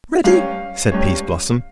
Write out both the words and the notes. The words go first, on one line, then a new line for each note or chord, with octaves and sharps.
"Ready," said Peaseblossom.
G2 G3 C#4 F5
G2 G3 C#4